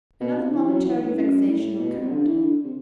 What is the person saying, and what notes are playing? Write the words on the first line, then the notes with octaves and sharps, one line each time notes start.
Another momentary vexation occurred.
B2
C3
E3
F#3
E3
A2
F#2
A2
B2
C3
D3
E3
D3
C3